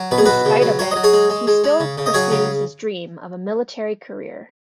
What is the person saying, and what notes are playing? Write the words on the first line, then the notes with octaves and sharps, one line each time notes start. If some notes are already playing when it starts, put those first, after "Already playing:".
In spite of it, he still pursues his dream of a military career.
Already playing: F#3
B2 B4
G#4
B2 F#4 B4
C#3
F#3
F#3 C#5
F#3 D#5
G#4 C#5
G#3
G#3
G#3
G#3
C#3
C#3
D#5
F#3 G#4 C#5
C#3